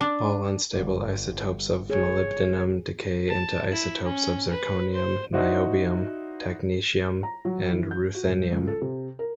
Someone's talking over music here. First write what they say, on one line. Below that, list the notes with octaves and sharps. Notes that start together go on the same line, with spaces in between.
All unstable isotopes of molybdenum decay into isotopes of zirconium, niobium, technetium, and ruthenium.
D4
G1 D5
G#4 C#5
A5
E4
C#4
B4
C5
D#4 E4 F#4 C5 D5
A#5
F#3
E3
G6
F#4
D#1
C#2
A4
C3
A#4